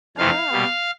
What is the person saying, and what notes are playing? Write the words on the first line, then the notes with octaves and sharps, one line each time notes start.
Oh, wow.
F2 C3 E3 A3 F5
B2 G3